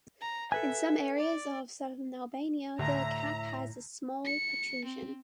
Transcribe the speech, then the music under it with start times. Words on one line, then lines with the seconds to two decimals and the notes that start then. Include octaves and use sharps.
In some areas of southern Albania the cap has a small protrusion.
0.21 A#5
0.52 A4 B4 E5 G#5
1.17 D5
2.79 D2 A2 E5 A#5
4.25 C#7
4.85 C4